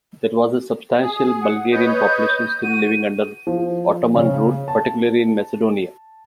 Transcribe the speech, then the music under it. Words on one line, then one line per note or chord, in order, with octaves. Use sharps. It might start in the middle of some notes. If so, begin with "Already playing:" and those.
There was a substantial Bulgarian population still living under Ottoman rule, particularly in Macedonia.
G#4
F#5
B4 C#5 D#5 G6
F#4 D#7
F3
C#3
A5